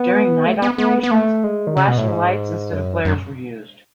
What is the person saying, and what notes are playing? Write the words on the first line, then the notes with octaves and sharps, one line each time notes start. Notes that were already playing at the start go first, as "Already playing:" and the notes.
During nightoperations flashing lights instead of flares were used.
Already playing: B3
A3
B3
B3
B3
A3
G#3
D#3
C#3
B2
A2
G#2
F#2
F#2